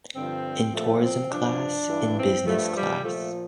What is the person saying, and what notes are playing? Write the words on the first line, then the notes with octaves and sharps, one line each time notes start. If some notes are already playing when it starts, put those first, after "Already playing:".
In tourism class, in business class.
G2 D3 F3 C4
A#2 F3 A3
C4
G2 F3 D4
G2 E3
C4
G2 F3 A3
G3
A#2 F3 A3